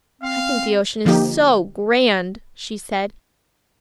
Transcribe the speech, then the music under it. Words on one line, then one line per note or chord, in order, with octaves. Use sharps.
"I think the ocean is so grand," she said.
C4 F5
D3 F3 A#3 D#4 G4